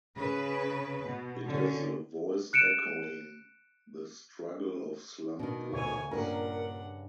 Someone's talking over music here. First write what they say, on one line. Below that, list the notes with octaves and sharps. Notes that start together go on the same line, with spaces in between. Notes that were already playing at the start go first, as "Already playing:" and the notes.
It is a voice echoing the struggle of slum-dwellers.
C#3 B4
B2
D3 C#4
F#6 C#7 D7 E7
B2 D#3 D4
D2 C#5 G#5 C#6
G2 A#2 C#3 D4 A#4 F#5 A#5